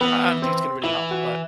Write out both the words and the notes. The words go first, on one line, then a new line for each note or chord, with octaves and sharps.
I I don't think it's gonna really help. But
E3 B3
C4
E3 E4
F#4